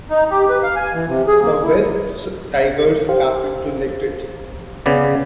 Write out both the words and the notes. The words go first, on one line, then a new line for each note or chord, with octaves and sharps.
The Wests Tigers capitulated.
D#4
G4
B4
F5
G#5
E3
C3
G#4
A#3
E4
G4 C5 F5
C#3 B3 D5